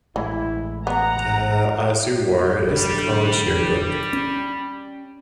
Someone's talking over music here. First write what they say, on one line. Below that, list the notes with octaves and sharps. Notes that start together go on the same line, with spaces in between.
"The Azuwur" is the College yearbook.
A1 E3 G#3 E4
B3 F#5 A#5
B1 D3 G3
C#4